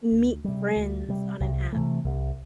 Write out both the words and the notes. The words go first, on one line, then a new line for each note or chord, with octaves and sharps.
meet friends on an app,
D2
C3 G3
D2
C3 G3
C2
C3 E3 A3
C2